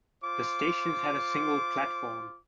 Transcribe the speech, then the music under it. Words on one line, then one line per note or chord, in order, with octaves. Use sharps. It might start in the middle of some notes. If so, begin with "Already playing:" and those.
The stations had a single platform.
F4 C5 D6